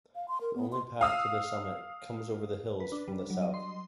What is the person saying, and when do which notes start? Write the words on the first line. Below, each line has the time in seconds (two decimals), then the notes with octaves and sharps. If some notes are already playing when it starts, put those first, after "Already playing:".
The only path to the summit comes over the hills from the south.
0.15 F5
0.28 C6
0.41 A#4
0.55 B3
0.72 C6
1.01 F5 D#6 E6
2.80 B4
2.92 D4
3.08 G3
3.30 F#3
3.42 D#5
3.54 C6